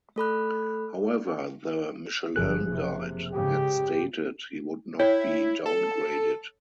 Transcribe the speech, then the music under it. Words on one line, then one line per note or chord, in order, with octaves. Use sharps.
However, the Michelin guide had stated he would not be downgraded.
A3 A4 B5 F#6
G1 F3 G#4 F#6
F#1 C3
G#2 C#3 G4
E4 C#5 G5
A4